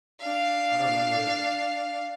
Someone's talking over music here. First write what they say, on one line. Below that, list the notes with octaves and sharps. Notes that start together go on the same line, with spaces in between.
I don't 'member it.
D4 F5